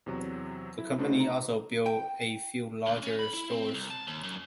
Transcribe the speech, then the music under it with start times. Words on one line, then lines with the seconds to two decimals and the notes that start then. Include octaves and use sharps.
The company also built a few larger stores.
0.06 E2 C3 F#3
0.78 E4
0.98 C#3 A3 D4 D#4 F#4 C5
1.20 A#5
1.86 G5
2.86 D2
3.03 C#4
3.19 B5
3.34 E4
3.50 C4
3.74 C2
3.90 A5
4.07 D#2
4.23 F#2